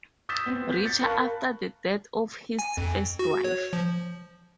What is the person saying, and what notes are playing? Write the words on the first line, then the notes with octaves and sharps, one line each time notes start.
Richer after the death of his first wife.
D#6 E6 G6 A6 B6 E7
B3 C4
G6 B6
A6 C#7
A#4 F5 A5 B5 C#6 F#6
G#5
F2
F#4
C#5
F3